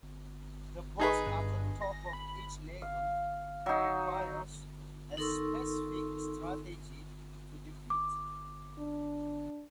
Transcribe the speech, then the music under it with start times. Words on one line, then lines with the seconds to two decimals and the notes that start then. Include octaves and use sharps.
The boss at the top of each level requires a specific strategy to defeat.
1.00 D#4 G#4 B4
1.26 G2
1.82 A#6
2.13 B5
2.82 F5
3.66 F#3 D#4
5.17 D#4 A4 A#4 C6 C#6 E6
7.90 D6
8.79 D4